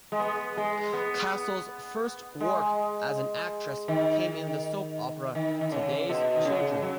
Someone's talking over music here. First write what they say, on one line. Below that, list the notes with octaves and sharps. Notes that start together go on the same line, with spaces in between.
Castle's first work as an actress came in the soap opera "Today's Children".
G#3
B3
G#3
B3
G#3
D#3
D#3
D#3
C#3
B2
D#3
C#3
F#3